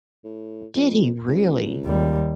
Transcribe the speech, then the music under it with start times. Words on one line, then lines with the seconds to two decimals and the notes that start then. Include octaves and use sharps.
Did he really?
0.24 A2
0.75 F2
1.28 C#2
1.85 D#2 G3